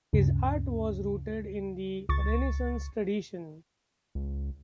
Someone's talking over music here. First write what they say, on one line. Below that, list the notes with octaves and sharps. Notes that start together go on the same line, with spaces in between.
His art was rooted in the Renaissance tradition.
D2 G2 C#3
C#2 C#6 A6
C#2